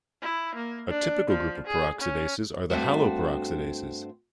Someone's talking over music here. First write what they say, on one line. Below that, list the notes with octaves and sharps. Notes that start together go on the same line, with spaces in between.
A typical group of peroxidases are the haloperoxidases.
E4
A#3
D4
F3
G#4
C#4
G2 A3 C4 F#4